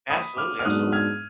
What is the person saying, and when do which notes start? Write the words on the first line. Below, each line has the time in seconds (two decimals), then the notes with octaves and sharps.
Absolutely, absolutely.
0.10 B5 D#6
0.37 D6 F6
0.59 F6
0.65 G#2 F#3 B3 D4 D#6 F#6
0.92 F6 G#6